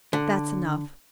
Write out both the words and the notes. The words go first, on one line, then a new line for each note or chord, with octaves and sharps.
That's enough.
D3